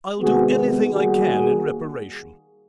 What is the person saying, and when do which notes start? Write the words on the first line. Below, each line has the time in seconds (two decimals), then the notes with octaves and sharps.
I'll do anything I can in reparation.'
0.20 C3 D#3 G#3 B3 F#4 G#4
0.91 D#3 G3 A#3 F#4 G#4